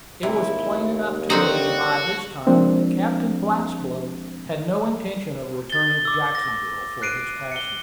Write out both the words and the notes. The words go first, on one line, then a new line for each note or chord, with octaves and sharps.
It was plain enough to me by this time that Captain Blastblow had no intention of returning to Jacksonville for his passengers.
D#2 C3 E4
D3 G3 C4 D#4 F#4
F3 G#3 A#3 C4 D4
A6 G7
D6 E6
A#6
F#6 C7 D7 D#7
C#7 G7